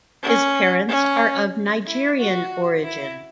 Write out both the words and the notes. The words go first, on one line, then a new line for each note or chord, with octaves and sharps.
His parents are of Nigerian origin.
C#4
C#4
E4
F#4
E4